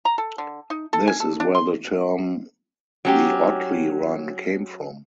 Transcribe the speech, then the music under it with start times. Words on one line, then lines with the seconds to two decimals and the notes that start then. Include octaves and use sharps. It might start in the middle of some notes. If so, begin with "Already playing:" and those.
This is where the term "the Otley Run" came from.
0.05 A#5
0.18 A4
0.38 D3
0.70 D#4
0.93 A4
1.07 G#5
1.20 A4
1.40 D4
1.55 C6
3.05 F#3 C#4 G4